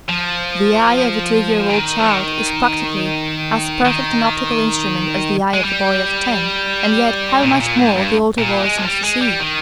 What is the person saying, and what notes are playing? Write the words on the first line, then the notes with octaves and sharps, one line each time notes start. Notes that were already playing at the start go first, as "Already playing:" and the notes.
The eye of a two-year-old child is practically as perfect an optical instrument as the eye of a boy of ten, and yet how much more the older boy seems to see.
F3
D#3
F3
D#3
D#3
G#3
G3
A#2
C3
A#2
G#2
G2
A#2
G#3
F3
G3
G#3
G3
D#3